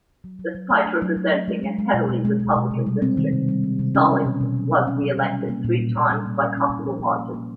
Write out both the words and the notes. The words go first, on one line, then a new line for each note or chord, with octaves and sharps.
Despite representing a heavily Republican district, Stallings was re-elected three times by comfortable margins.
F#3
F#3
F#3
A3
D4
F#3
F#3
A3
G#3
G#3
G#3
B2
B2
G#3
G#3
B2
C3
G3
C4
D#3
C3
G3
D#3
C3
C#4
F#3
B2
B2
F#3
C#4
C#4
F#3
G3
C#4
A#3
A#2
G3
A#2
G3
A#3
C#4
C#4
C#4
F3
A#3
A#3
A#3